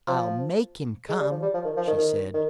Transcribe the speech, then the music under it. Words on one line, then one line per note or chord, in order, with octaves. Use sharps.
"I'll make him come," she said.
F3
G#3
G3
F3
G3
F3
D#3
F3
D#3
D#3
D#3